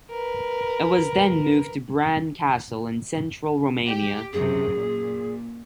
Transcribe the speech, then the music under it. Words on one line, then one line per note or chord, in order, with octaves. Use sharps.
It was then moved to Bran Castle, in central Romania.
A#4 B4
G4
F#2 C3 G#4
A#2